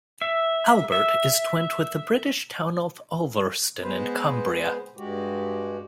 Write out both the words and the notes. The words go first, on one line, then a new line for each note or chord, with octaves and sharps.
Albert is twinned with the British town of Ulverston in Cumbria.
E5
E5
G#3 B3 B4 C5
G2 G#3 F#4 G4